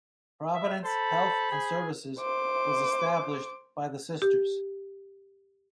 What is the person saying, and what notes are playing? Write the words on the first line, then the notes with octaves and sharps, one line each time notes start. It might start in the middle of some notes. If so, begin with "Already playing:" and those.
Providence Health and Services was established by the Sisters.
E5
A4 C5 B5
G#4
C5 D6
G4